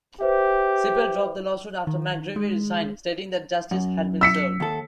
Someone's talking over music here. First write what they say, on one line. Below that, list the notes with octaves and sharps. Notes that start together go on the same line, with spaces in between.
Cipel dropped the lawsuit after McGreevey resigned, stating that justice had been served.
G4 B4 C5 E5
D#3
G#3
F#2
E6 B6 C#7
D#2 A4